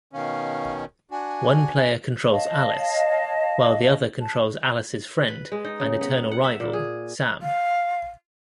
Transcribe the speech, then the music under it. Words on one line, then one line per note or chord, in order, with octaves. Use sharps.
One player controls Alice, while the other controls Alice's friend and eternal rival: Samm.
B2 D#3 C#4 F5
D4 F#4 G#5
C#5 D#5 F5 A5
A5
B4
G#3
D#4
C#3
B3
B3
F#5
E5
A#2
G#4
F5